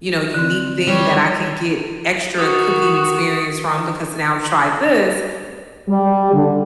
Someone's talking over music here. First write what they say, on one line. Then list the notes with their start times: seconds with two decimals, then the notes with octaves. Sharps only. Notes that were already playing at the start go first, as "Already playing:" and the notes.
you know, unique thing that I can get extra cooking experience from, because now I've tried this,
0.34 D3 C4
0.87 G3 C#5
2.38 D#3 F#4 D#6
5.89 G3
6.33 D3